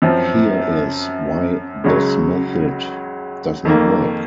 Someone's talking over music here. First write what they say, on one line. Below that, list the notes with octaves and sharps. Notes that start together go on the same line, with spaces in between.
Here is why this method does not work.
F#2 F3 C4
C#2 C#3 F#3 C#4
F2 D#3 A#3